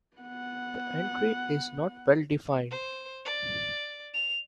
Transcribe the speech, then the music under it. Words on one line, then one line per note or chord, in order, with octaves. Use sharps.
The entry is not well defined.
B3 F#5
C5
D5
F7